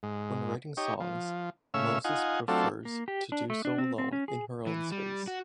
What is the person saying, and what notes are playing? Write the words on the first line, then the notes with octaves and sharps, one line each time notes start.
When writing songs Moses prefers to do so alone in her own space.
G#2
D#4 G4 C#5
F3
A2 C#3 C#5 E5 F5 E6
D#4 F4 F#5 G#5
F#3 A3 C4 D4 F4 A4
A#3
G4
D4
A3
D4
C4
C4
C#4
G#4
E3
G3
F#4